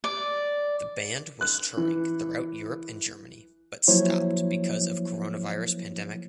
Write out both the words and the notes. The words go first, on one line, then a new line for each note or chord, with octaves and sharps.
The band was touring throughout Europe and Germany but stopped because of coronavirus pandemic.
D5
F#6
E3
F3 F#3 A#3 E4 C5 C#5